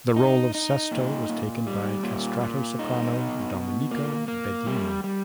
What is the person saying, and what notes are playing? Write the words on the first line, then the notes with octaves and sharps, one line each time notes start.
The role of Sesto was taken by castrato soprano, Domenico Bedini.
D#4
D#4
A#2
A#2
G3
A#2
A#2
D#4
B2
B2
A#3
A#3
G3
G3